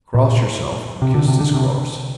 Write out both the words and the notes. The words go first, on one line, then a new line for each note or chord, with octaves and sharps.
Cross yourself and kiss this cross.
A#2
C3
D3
C3
D3
C3